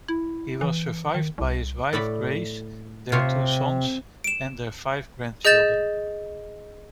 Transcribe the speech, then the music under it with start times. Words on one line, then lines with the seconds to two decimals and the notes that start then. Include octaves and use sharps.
He was survived by his wife Grace, their two sons, and their five grandchildren.
0.08 E4
0.61 E3
1.14 D#3
1.38 C2
1.93 A2 D5 B5
3.12 C3 F4 C#5
4.24 D7 E7
5.45 G#4 D#5 G6 A6 E7